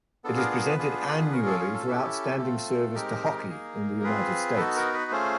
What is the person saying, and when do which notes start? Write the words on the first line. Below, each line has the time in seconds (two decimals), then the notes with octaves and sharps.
It is presented annually for "outstanding service to hockey in the United States".
0.24 B3 D4 F4 G#4 A4
0.37 A#4
0.51 A#4
0.65 B4
0.78 B3 D4 F4 G#4
1.32 C#4 F4 G#4 A#4
1.46 A4
1.60 G#4
1.74 A4
1.86 C#4 E4 G4
2.41 A3 C4 F4
2.95 G#3 C4 D#4 G4 A#4
3.50 A#3 D#4 G#4
4.04 C4 F4 G#4 B4
4.57 B3 D#4 F#4 A4
4.76 A#4
4.94 B4
5.11 A3 C#4 F4 G#4 C5